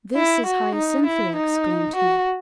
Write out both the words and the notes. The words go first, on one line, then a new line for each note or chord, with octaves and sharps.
"This is Hyacinthia!" exclaimed he.
E4
F#4
D#4
E4
D#4
F#4